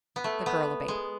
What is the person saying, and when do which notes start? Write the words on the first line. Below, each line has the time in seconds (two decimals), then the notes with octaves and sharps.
The girl obeyed.
0.16 B3
0.24 A3
0.46 B3
0.88 G#3